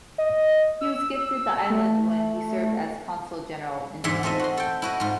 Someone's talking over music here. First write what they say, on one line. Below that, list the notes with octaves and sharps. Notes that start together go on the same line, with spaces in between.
He was gifted the island when he served as Consul-General in Egypt.
D#5
E6
A3
E2 G#2 D3 G#4 E5 C6
A3 C4 F4 D#5 E5
F#4 C6
A4 G5
E4 F#4 D#5
G#2 F4